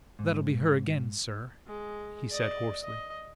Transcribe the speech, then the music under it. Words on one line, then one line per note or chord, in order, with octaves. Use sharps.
"That'll be her again, sir," he said hoarsely.
G#2
G#3
D5 D#5
D#5